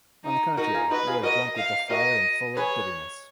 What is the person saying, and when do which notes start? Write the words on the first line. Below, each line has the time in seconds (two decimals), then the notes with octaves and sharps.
On the contrary, you are drunk with the fire and full of bitterness.
0.24 D#4
0.57 D#4 F#4 A#4
0.74 F4 G#4
0.91 D#4 F#4 B4
1.07 F4 G#4
1.23 F#4 A#4 D#5
1.57 F5
1.90 F#4 A#4 D#5
2.56 G#4 B4 C#5